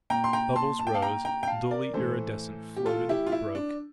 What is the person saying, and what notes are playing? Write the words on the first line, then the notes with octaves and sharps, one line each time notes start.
Bubbles rose, dully iridescent, floated, broke.
A#2 G5 A#5
C6
G5 A#5
A5 C6
A5
G5
F5 A5
G5 A#5
G5 A#5
G5
F5 A5
A#4 D5
A2 E3 A4 C5
G4
F4 A4
E4 G4
F4
E4
D4